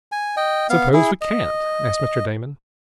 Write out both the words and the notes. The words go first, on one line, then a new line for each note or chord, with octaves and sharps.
"Suppose we can't?" asked Mr. Damon.
G#5
D#5 G5
B3 F5
E4 G#4
D#5